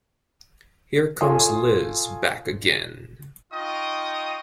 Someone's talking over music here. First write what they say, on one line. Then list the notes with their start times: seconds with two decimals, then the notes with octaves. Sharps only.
Here comes Liz, back again!
1.21 F4 A4 C#5 G#5 C6 D#6
3.52 D#4 F4 D#5 G5 C#6 D#6